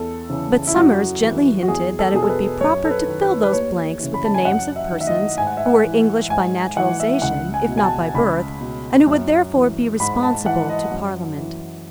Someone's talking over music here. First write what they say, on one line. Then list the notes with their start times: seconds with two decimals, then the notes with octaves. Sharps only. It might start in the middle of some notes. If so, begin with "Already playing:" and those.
But Somers gently hinted that it would be proper to fill those blanks with the names of persons who were English by naturalisation, if not by birth, and who would therefore be responsible to Parliament.
Already playing: E2 A4
0.29 C#3 E3
0.67 E4
0.76 F#2 F#4
1.22 E3
1.63 F#4
1.68 E2 G#4
1.99 A4
2.14 B2 G#4
2.23 A4
2.29 B4
2.61 F#2 C#5
2.85 A4
2.91 B4
3.06 D#3
3.22 B4
3.43 B4
3.53 D#2 C#5
3.99 C#3 E3
4.14 B5
4.25 A5
4.34 G#5
4.45 F#2 F#5
4.76 E5
4.91 D#3
5.01 E5
5.07 D#5
5.38 G#2 G#5
5.47 F#5
5.57 E5
5.66 F#5
5.84 E3
6.30 G#2 G#5
6.76 E3 F#5
7.00 E5
7.22 C#2 F#5
7.54 G#5
7.68 B2
7.78 G#5
7.84 A5
8.14 C#2 B5
8.61 B2
9.07 F#2
9.53 E3
10.00 G#2 B5
10.14 B5
10.23 A5
10.45 E3 F#5
10.69 D#5
10.91 F#2
11.38 E3